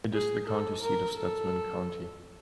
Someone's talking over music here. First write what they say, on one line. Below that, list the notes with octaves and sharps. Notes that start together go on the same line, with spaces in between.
It is the county seat of Stutsman County.
G#4
A4
A#4
A4